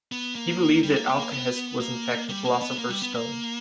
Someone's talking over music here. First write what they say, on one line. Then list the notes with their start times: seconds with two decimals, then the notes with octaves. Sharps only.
He believed that alkahest was, in fact, the philosopher's stone.
0.12 B3
0.35 A#3
0.83 G3
0.96 A#3
1.08 B3
1.19 A#3
1.33 B3
1.80 A#3
2.29 G3
2.45 A#3
2.62 B3
2.78 A#3
2.89 G3
3.02 B3
3.14 A#3